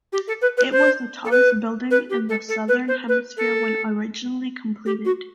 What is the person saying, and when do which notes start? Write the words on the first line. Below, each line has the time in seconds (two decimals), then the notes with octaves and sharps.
It was the tallest building in the southern hemisphere when originally completed.
0.12 G4
0.27 A4
0.41 B4
0.57 B4
0.72 C5
1.24 A4
1.31 B4
1.90 B4
2.09 G4
2.29 A4
2.48 A4
2.68 B4
2.88 C5
3.08 B4
3.37 A4
4.85 G4
5.04 F#4